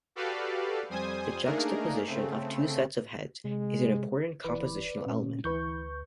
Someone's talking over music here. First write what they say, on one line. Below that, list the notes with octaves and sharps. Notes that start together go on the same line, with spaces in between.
The juxtaposition of two sets of heads is an important compositional element.
F#4 G4 A4 B4 D5 F5
F2 G3 C5 G#5 D#6
A3 A#3 D4 D#4 G#4 A#4
C#3 A3 C4
C3 G#3
D1 E3 B4 D5
A#2 C#4
D2 E3 B4 C#6 G6